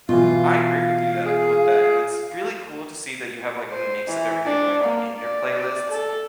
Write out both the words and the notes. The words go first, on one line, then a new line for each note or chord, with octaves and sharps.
I agree with you that with that, and it's really cool to see that you have like a mix of everything going on in your playlists,
B2 E3 F4 F5
G#4
C5
E3
D4
A#3
D5
D5
A4